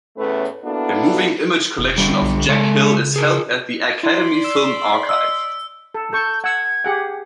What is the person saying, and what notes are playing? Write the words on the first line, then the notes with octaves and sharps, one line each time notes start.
The moving image collection of Jack Hill is held at the Academy Film Archive.
E2 A2 A3 C#4 B4
A#3 B3 D4 E4 F#4 A4
E1
D3 G3
B1
C#3 G#3 A4
G#4 A#4
E4 D5 C6 B6
E6
D#5 E6
A4
A4 C#6 G6
F#5 E6 G#6
G4 G#4 F#5